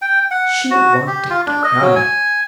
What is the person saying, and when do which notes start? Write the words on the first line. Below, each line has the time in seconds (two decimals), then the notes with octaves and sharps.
She wanted to cry.
0.02 G5
0.31 F#5
0.71 F#4
1.07 G4
1.30 F4
1.46 D4
1.64 D#5
1.81 F#3
1.96 G#5